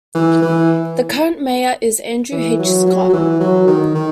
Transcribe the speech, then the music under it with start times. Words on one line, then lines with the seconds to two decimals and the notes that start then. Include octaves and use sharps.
The current mayor is Andrew H. Scott.
0.15 E3
0.42 E3
2.32 E3
2.59 F#3
2.87 F#3
3.09 F#3
3.13 E3
3.40 F#3
3.67 D#3
3.95 D#3